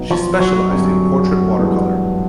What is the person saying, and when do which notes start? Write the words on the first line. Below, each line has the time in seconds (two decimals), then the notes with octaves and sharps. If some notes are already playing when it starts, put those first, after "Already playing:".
She specialized in portrait watercolor.
Already playing: B1 B2 F#3 B3 D#4
0.11 F3
0.40 F#3
0.69 F#2 D3 G3 C4
1.58 G2 E3 G#3 B3